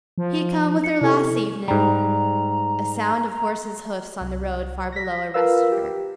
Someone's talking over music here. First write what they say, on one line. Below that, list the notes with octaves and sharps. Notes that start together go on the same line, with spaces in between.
"He come with her las' evenin'--" A sound of horses' hoofs on the road far below arrested her.
F3
C#7
C3 E4 A4
G#2 G3 A#5
C2
A#6 B6
F4 A#4 B4 F5 E6
G4